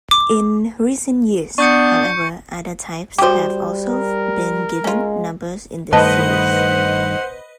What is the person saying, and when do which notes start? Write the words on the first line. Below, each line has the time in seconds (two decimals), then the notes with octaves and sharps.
In recent years, however, other types have also been given numbers in this series.
0.11 D6
1.58 B3 D4 C#6 G6 C#7
3.18 G3 F#4 G4 C5 D6
3.88 A#4
4.84 G#3 C#4 F4
5.93 G2 D#3 A3 B4 C5 D#5 F#5 A5